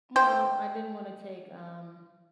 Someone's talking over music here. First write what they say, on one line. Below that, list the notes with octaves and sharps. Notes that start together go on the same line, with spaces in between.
Well, I didn't wanna take, um,
C5 G5